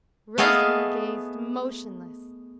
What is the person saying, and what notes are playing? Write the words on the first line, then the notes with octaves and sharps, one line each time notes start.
Rosamond gazed motionless.
A3 B3 G#4 A4 D#5 F5